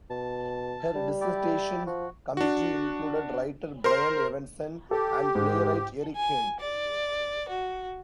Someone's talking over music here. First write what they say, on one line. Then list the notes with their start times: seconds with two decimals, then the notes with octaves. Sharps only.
Her dissertation committee included writer Brian Evenson and playwright Erik Ehn.
0.10 B2 A5
0.96 G3
1.21 E4 G4 D5
1.87 F3 F#4
2.37 D4 F#4
3.84 A#4 C5 C6
4.91 G4 A4
5.35 G#2
6.16 G#5
6.61 D5
7.49 F#4